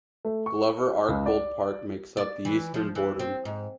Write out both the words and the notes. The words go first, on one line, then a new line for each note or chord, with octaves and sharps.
Glover-Archbold Park makes up the eastern border.
A3
C#6
C#2
D5
D5
E3
F3
E3
C4
G#2